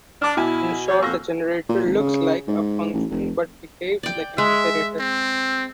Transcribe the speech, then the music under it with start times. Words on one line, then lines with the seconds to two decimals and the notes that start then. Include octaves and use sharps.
In short, a generator "looks like" a function but "behaves like" an iterator.
0.22 D4 A5 D6 F6
0.37 B2 E4 G#5
0.88 F3 F#4 C#5
1.03 F2 A#3 C#6 E6 A#6
1.69 A#2
1.85 G#1
1.99 C#3
2.47 G#2
2.93 A1
3.10 F1
4.03 D5 G5
4.38 G#3 E5
5.00 C4